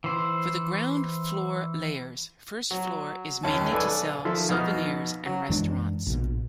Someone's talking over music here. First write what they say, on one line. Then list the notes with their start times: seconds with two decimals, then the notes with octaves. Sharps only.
For the ground floor layers, first floor is mainly to sell souvenirs and restaurants.
0.04 E3 C5
2.71 F#3
3.43 D#2 C#4 A5
3.71 B1 A4 B4 D5 G#5 B5
4.25 D#3 F3 A4 E5 C6
4.49 F2 B2 D#4 D#6 F6
5.26 F#3
5.49 F#2 E3 G#3 D4
6.07 A#1 B2